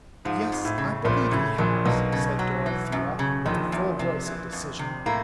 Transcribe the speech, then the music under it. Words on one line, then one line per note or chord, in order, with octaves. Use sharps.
"Yes, I believe he has," said Dorothea, with the full voice of decision.
G#2 F3
F2
A2
C#3
A#1 A#2 A3
A2 C#3
A#1 A#2 F#3
B1 B2 A#3
C#3
F#3
E3
F#2
C#3
A#1 A#2 D#3
E2
C3
E3
F2
C3
A2 A#3